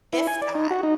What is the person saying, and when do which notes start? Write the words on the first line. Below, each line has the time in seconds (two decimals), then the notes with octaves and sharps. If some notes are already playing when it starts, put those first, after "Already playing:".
If that
0.13 E4
0.27 G#5
0.42 D5
0.55 D#4
0.71 F#4
0.83 D#4